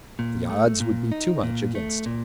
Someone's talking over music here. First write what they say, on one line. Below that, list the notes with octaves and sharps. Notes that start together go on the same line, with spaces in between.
The odds would be too much against him.
A#2
A3
A#2
D#4
A#2
A3
A#2